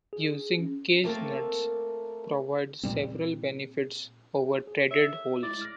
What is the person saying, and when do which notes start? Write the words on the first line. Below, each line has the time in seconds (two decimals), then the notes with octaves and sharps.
Using cage nuts provides several benefits over threaded holes.
0.13 G#4
0.58 C#4
1.04 A3 A#3 C4 A4 A#4
2.83 A#2 G3 C4
4.67 G#4
4.91 C#5 E5
5.43 G#3 E4 D5
5.61 F6 A#6